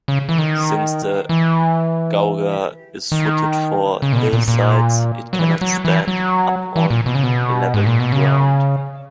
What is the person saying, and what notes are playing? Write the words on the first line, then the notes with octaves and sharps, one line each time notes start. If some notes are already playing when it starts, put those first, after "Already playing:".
Since the gouger is footed for hillsides, it cannot stand up on level ground.
C#3
E3
D#3
E3
D#3
C#3
A#2
B2
A#2
A#2
F#3
E3
F#3
E3
F#3
E3
A#2
B2
C#3
B2
G#2
A#2
B2
C#3